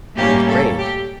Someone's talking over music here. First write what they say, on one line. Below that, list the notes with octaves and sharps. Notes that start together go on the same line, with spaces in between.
He was brave.
A2 G3 A#3 C#4 G4
A4
G4